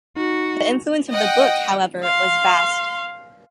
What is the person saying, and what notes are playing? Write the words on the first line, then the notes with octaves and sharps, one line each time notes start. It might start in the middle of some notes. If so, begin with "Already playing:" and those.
The influence of the book, however, was vast.
D#4 F#4
D#5 F#5 G5
F5 C6